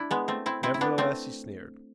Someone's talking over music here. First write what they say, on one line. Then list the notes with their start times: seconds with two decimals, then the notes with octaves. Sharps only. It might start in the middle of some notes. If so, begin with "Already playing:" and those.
Nevertheless, he sneered.
Already playing: D4 E4
0.11 G#3 B3
0.28 A3 C4
0.46 C4 E4
0.63 C4 E4
0.74 E4
0.81 B3 D4
0.98 A3 C4